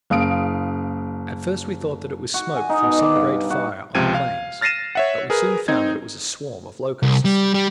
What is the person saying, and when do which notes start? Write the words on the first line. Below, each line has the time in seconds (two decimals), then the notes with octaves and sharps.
At first we thought that it was smoke from some great fire on the plains; but we soon found that it was a swarm of locusts.
0.10 F#1 F5 D#6 D7
2.34 F#4
2.55 G#5
2.69 D#4
2.83 B2
2.98 D5
3.16 G2
3.50 F#4
3.95 C#2 C3 F3 G5 G#6 D#7
4.14 F5
4.61 F6 A6 A#6 C7 D#7 E7
4.95 C#5 E5 F#5
5.30 G#4 A#4 B4
5.68 C4 D#4 G#6
7.03 C2
7.25 G3
7.54 G3